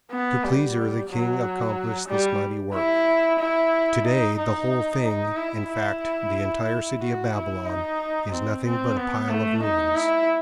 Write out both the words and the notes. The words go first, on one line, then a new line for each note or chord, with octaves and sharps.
To please her the king accomplished this mighty work. Today the whole thing, in fact, the entire city of Babylon, is nothing but a pile of ruins.
B3
G3
F#3
G3
E4
E4
D#4
D#4
D#4
E4
E4
F#4
E4
D#4
C4
C4
B3
A3
D#4
E4